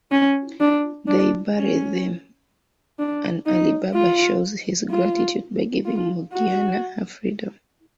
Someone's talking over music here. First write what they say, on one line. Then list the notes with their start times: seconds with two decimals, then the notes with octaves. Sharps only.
They bury them, and Ali Baba shows his gratitude by giving Morgiana her freedom.
0.12 C#4
0.60 D4
1.08 D4
1.56 C#4
2.99 D4
3.46 D#4
3.94 F4
4.90 F4
5.85 F4
6.33 F#4